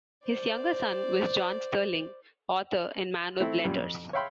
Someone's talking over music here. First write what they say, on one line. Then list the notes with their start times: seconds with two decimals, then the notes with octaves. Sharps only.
His younger son was John Sterling, author and man of letters.
0.25 C5 D5
3.40 A3 C4 E4
3.64 F#2 A#2 G3
3.78 F2
4.13 C#5 E5 F5 G5 B5 C6